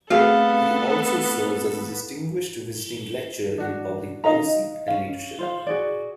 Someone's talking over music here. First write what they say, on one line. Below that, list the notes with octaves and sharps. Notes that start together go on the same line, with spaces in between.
He also serves as a Distinguished Visiting Lecturer in Public Policy and Leadership.
A3 B3 C4 F#4 G#4 A4 F5
D4 F#4
D#4 D#5 F5 A#5
C#4 F5
F4 C5 F5
F#4 G#4 D5